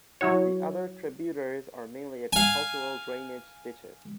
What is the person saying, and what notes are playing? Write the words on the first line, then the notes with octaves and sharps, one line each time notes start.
The other tributaries are mainly agricultural drainage ditches.
F#3 E4 F#4 C#5
F5 G#5